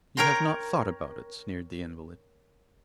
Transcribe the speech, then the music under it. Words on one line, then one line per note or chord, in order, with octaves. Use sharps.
'You have not thought about it!' sneered the invalid.
A#4 C#5 G5 A#5 C6